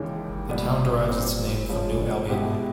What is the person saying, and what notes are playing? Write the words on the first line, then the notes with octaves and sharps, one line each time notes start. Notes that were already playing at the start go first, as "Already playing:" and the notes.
The town derives its name from New Albion.
Already playing: D#2 C#3 E3 G#3
A#2 G3 B3
A#2 G3 C4
C#3 F3 G#3 C#4
B2 G#3 B3 E4 G4